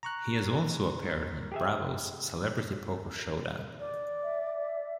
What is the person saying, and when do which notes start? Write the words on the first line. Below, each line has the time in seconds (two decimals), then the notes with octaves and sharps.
He has also appeared on Bravo's "Celebrity Poker Showdown".
0.03 A#5 C#6 F#6
1.52 G4 G#4 E5
3.79 D5
4.23 E5